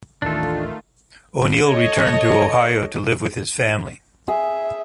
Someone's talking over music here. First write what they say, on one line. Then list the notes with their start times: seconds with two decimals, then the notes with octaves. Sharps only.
O'Neill returned to Ohio to live with his family.
0.22 A1 D#2 D#3 A3 D4 F4 A4
1.64 A4 C#5 D#5
4.28 G#4 E5